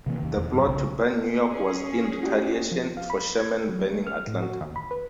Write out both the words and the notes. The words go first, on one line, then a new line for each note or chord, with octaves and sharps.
The plot to burn New York was in retaliation for Sherman burning Atlanta.
C3 E3 A#3
D#2 D#3
E2 B2
G2 C3 F#3
B1 C#3
C#4 G#4
F#4 G4 D5
F3
F5
B5
G#6
F#3
A3
F6
A2
F#4
D#2
B5
B4